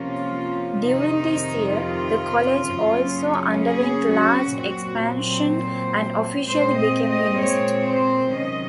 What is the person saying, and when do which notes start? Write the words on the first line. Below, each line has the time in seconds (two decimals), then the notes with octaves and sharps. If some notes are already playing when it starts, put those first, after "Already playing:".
During this year, the college also underwent large expansion and officially became a university.
Already playing: C3 F3 A#3 C#4 F4
0.80 F2 C3 D#3 D#4
1.74 F4
2.68 F#2 C#3 F#3 A#3 C#4
3.63 G#4
4.10 F#4
4.56 A#2 F#3 C4 F#4
5.19 C5
6.45 A#2 G#3 C4 C5
6.76 D#5
7.07 D#5
7.39 C#5
7.86 C5
8.32 C3 D#3 F#3 C#4 D#5